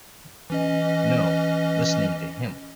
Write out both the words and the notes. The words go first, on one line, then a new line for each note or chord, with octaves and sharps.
No, listening to him.
E3 C#4 D#5